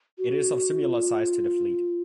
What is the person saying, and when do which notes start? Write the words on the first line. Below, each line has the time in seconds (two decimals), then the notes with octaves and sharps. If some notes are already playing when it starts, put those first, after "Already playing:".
It is of similar size to the Fleet.
0.18 F#4
0.81 F4